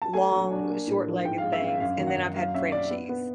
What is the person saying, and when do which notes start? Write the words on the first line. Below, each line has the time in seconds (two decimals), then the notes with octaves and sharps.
long short-legged things, and then I've had Frenchies.
0.02 A5
0.13 A3 G#5
0.32 F#3
0.51 D4
0.69 A#3
0.87 A2
1.07 F3
1.24 G#2 G5
1.38 F5
1.43 G#3
1.53 E5
1.61 C#4 F5
1.80 F#2 F5
1.98 D#3
2.07 F#5
2.16 F#2
2.36 F#3 F5
2.55 C#4 E5
2.72 C#4 D5
2.91 B3
3.09 B3